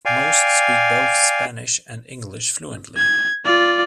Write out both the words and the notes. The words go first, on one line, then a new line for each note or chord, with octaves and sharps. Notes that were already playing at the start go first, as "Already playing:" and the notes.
Most speak both Spanish and English fluently.
D5 F5 G5 G#5
G#6
F4 D5